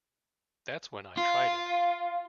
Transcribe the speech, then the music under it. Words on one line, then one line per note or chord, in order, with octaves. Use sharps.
That's when I tried it.
F4